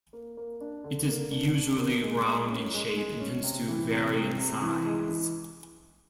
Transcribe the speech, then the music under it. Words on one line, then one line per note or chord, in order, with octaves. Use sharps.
It is usually round in shape and tends to vary in size.
A#3
A#3
D4
D3
A#3
D4
D4
A#3
G#3
G#3
C#4
G#3
G#3
C#4
C3
E3
C3
C3
C3
E3
G#3
E3